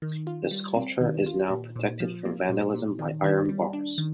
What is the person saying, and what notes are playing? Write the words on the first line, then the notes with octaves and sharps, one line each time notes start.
The sculpture is now protected from vandalism by iron bars.
D#3
F4
G3
C4
D#3
F4
A#2
A#2
F3
A#3
A#2
A#2
D#3
D#3
G3
D4
D#3